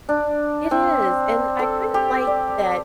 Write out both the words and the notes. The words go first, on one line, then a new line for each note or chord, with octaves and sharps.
It is. And, I kind of like that,
D4
C4
A4
G4
D5